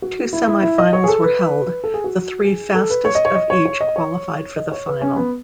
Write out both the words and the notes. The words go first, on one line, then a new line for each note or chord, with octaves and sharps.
Two semifinals were held, the three fastest of each qualified for the final.
F#4
E4
E4
E4
D#5
C#5
G#4
A4
B4
A4
G#4
F#4
G#4
A4
B4
C#5
D#5
C#5
D#5
C#5
C#5
D#5
C#5
D#5
C#5
B4
C#4
B3